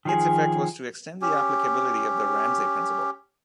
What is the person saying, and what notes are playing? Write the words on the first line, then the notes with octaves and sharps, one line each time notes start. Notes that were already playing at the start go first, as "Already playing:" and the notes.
Its effect was to extend the applicability of The Ramsay Principle.
D#3 F3 G#4
C#4 G4